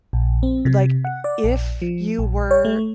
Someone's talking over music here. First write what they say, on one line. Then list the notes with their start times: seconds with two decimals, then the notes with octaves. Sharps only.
like, if you were
0.13 A#1
0.43 C4
0.65 C3
1.05 F#5
1.24 D5
1.44 A#1
1.82 F3
2.19 A#1
2.51 C#5
2.65 A3